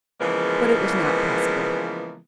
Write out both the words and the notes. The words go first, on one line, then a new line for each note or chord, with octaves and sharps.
But it was not possible.
C#3 E3 F3 G#3 A#3 B3